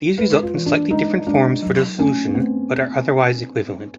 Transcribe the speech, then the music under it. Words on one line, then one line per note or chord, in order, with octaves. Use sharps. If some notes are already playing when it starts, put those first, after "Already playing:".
These result in slightly different forms for the solution, but are otherwise equivalent.
G#3 B4
F4
E3
D4
G#3 D#4
G#3 D4
F#3
A3 C#4
B3
A3 C4